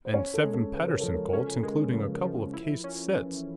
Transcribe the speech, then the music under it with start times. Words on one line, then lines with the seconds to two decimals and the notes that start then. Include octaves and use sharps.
And seven Paterson Colts, including a couple of cased sets.
0.05 C5
0.13 C#4 C#5
0.34 A4
0.44 G#3
0.54 A4
0.73 C#3 B4
0.87 A#4
1.00 F3 A4
1.14 A#4
1.28 A#4
1.33 C#4 A4
1.63 G#3 A#4
1.73 A4
1.82 A#4
1.93 C#3 B4
2.14 A#4
2.24 F3
2.54 E4
2.84 C#4
3.14 E3